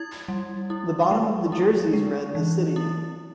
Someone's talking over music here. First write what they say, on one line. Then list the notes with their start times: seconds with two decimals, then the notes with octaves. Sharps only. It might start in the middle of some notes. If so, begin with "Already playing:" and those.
The bottom of the jerseys read the city name.
Already playing: E4 G#6
0.28 G3
0.70 E4
1.11 G#3
1.52 E4
1.93 G#3
2.35 E3
2.76 E4